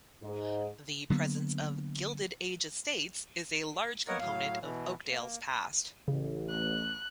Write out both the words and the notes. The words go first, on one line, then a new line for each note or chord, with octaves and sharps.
The presence of Gilded Age estates is a large component of Oakdale's past.
G#2
D3 F#3 A#3 B3
A#3 B3 A#4 C#5 D#5 F#5
A2 F#3 F5
B2 E3
A#3
A1 C#3
F#6